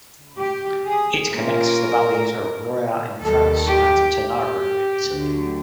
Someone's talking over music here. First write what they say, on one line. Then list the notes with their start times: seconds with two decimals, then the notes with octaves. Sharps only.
It connects the valleys of Roya in France and Tanaro in Italy.
0.37 G4
0.84 G#4
1.32 A#2 G3 A#3 C#4 F4 A#4
3.20 D#2 D#3 G3 A4
3.67 G4
4.14 G4
5.08 D2 D3 F#3